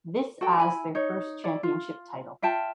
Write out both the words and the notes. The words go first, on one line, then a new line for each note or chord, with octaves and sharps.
This as their first championship title.
F#4 A4 G5
E4 G#5 B5
D#4 C#5
E4 D5
F4
F4 E5 G5 A5